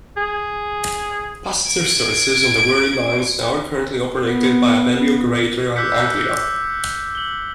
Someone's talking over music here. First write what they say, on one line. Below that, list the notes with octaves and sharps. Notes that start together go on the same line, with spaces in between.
Passenger services on the Wherry Lines are currently operated by Abellio Greater Anglia.
G#4
G#6 D7
B3
D6 E6 F#6 G6 B6 C#7
F#7 G7